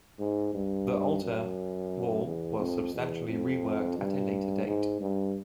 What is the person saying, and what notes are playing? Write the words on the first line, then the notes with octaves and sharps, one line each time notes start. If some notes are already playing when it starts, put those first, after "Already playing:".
The altar wall was substantially reworked at a later date.
G#2
G2
F#2
E2
F2
E2
F2
G2
G#2
G2